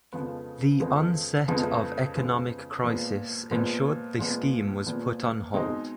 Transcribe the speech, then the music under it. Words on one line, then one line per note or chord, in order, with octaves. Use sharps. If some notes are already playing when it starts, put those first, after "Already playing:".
The onset of economic crisis ensured the scheme was put on hold.
F2 C#3 F3 G#3 B3
F2 C#3 F3 G#3 B3
F2 C#3 F3 G#3 B3
F2 C#3 F3 G#3 B3
A#2 F3 G#3 B3
A#2 F3 G#3 B3
A#2 F3 G#3 B3
A#2 F3 G#3 B3
B2 G#3 C4 D#4